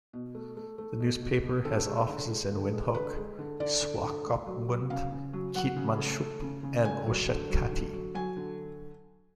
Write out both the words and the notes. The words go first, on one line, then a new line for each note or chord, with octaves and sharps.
The newspaper has offices in Windhoek, Swakopmund, Keetmanshoop and Oshakati.
B2
A3
A3
A3
B2
B2
B2
D3 A4
G#3
D3
G#3
D3
G#3
D3 B4
G#3
D3
D3 D5
D3
D3
A3
F#3
F#3
C#3 F5
C#3
F#3
F#3 F#5
C#3
A3
A3
C#3
C#3
A3 G#5
F#3
D3
F#3
D3
F#3
F#3 G#5
D3